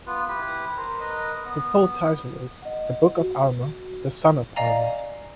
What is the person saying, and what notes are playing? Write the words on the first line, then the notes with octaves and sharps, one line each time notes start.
The full title is The Book of Alma: The Son of Alma.
B3 F4 B4
E4 G4 B4
A#4 C5
A#4 B4 D#5
B3
D#5 F#5
F#4
D5 D#5 F5 G#5 A#5